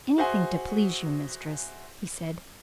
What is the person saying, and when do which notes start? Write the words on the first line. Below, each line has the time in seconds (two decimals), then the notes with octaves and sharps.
"Anything to please you, Mistress," he said.
0.18 F#4 G#4 C5 E5 F#5 G#5